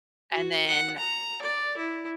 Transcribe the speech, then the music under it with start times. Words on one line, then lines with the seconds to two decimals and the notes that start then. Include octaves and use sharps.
And then,
0.32 F#4
0.66 F#5
0.98 A#5
1.42 D5
1.77 E4